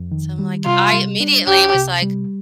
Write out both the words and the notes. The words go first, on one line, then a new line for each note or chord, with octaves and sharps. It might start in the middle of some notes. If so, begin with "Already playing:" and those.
so I'm like I immediately was like,
Already playing: F2
D#3
G3
C3 F4
G3
D4
C2 G4
C3
G3